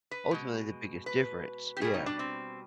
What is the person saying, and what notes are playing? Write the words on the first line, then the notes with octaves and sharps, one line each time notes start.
ultimately, the biggest difference. Yeah,
B4
B2 G#3
B4
G4
B2 G3 G#4
D#4
D4
C4